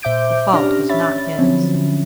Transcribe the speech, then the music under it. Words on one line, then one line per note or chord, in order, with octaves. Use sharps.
The fault was not his.
A#2 C5 E5 D6 G6 D7
C#4 D4 G4 F6 A#6
C#5 E5 B5 A6
D3 F3 F#3 C4 C#4